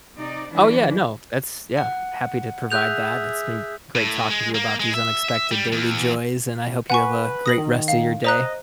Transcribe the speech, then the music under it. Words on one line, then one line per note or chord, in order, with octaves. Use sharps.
Oh, yeah, no, that's yeah. Happy to provide that. It's been great talking to you about these unexpected daily joys, and I hope you have a great rest of your day.
C3 D#4 D5
E3 F#3 D4 E4
F#5
G#4 E5 F#6 G6 F7
A2
G#3
A#3
G#3
E5
E5
G3
E2
B4 F#5 G#5 C#6
D#6 A#6 F#7
D#3
F5
C5 D#5 A#5 F#6